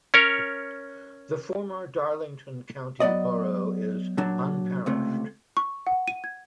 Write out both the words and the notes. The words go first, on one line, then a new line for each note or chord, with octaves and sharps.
The former Darlington County Borough is unparished.
C#4 A#4 C#5
F#3 B3 D5 D#5
A#2 F#3 D4
C#2 C3 A3
C#6
F#5
D#7
G#6